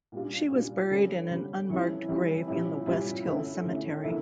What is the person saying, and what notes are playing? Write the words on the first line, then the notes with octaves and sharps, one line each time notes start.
She was buried in an unmarked grave in the West Hill Cemetery.
A#2 G3 D4 F4
A#2 G3 D4 F4
D3 G3 C#4
D3 G3 C#4
F2 E3 G3 C#4 E4
F2 E3 G3 C#4 E4
A#2 G3 C#4 E4
A#2 G3 C#4 E4
D3 A3 C#4 E4
D3 A3 C#4 E4
D3 F3 A#3 E4